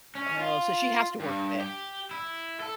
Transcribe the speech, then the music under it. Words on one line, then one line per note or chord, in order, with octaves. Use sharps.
Oh, so she has to work at it.
C#4
F4
G2
G4
E4
A4